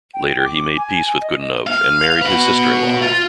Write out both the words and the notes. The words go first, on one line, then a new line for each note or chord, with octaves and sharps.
Later he made peace with Godunov and married his sister-in-law.
G5
D6
G#5
D#5
F5
F#4 B4
F4